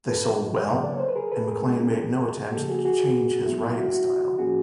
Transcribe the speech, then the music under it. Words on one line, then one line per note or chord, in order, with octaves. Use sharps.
They sold well, and MacLean made no attempt to change his writing style.
A4 B4
C#3 F#3 A#3
D5
C#5
C5
B4
G#4 A#4
A4 B4
G#4 A#4
B2 G#3 C#4
C#3 F3 A#3 G4 A4
F#4 G#4
F#4 G#4
A2 F#3 B3 E4
E4
E4 F#4
E4 F#4
A2 F3 A#3 C#4 F#4 G#4